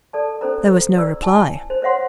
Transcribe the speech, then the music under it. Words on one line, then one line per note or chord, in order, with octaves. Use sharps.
There was no reply.
A4 D5 A5
C#4 A4 C5 A#5
D5 A#5 E6
E4 G#5 A5
C5
C5 C#5 E5 F#5 C6